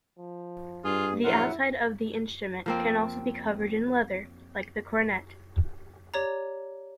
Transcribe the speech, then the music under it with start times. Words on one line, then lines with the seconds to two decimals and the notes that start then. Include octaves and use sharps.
The outside of the instrument can also be covered in leather, like the cornett.
0.18 F3
0.84 G2 F4 G#4
1.24 A#1 F#3 E4 F4 F#5
2.66 F3 A#3 C4
6.14 G4 C#5 D5 A#5